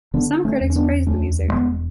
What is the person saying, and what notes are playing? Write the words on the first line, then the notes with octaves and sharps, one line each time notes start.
Some critics praised the music.
D3 B3 D4
A3 C#4
E2
C#4
B3 D4
D2 A3 C#4
A3
E1 G#3 B3